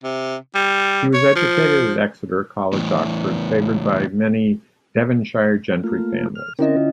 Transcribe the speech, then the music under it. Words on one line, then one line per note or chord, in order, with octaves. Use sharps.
He was educated at Exeter College, Oxford, favoured by many Devonshire gentry families.
C3
G3
C#5
F3
E2 A2
A3 A#3 F4
F6
D3 C4 C#4 E4 A#4 D#5
D3 F4